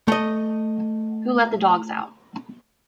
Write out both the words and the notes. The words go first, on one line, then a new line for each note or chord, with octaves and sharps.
Who Let the Dogs Out?
A3 D#5